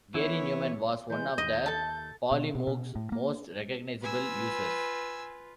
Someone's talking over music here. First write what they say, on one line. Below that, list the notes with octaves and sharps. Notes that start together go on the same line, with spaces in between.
Gary Numan was one of the Polymoog's most recognizable users.
E3 B3 E4 C#5
E3 G#3 G6
D#2 D#5
A4 A5
B2
B2
B2
A2
A#3
F4 B4 G#5 E6